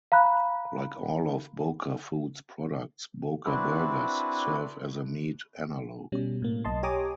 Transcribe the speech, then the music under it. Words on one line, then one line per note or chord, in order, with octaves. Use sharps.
Like all of Boca Foods' products, Boca Burgers serve as a meat analogue.
F5 A#5 B5 F#6
C4 D4 E4 F#4 B4
B2 G3 C#4
A2 A#3
B1 D#5 A5 C6
G4 C#5 G#5 A#5 D6 D#6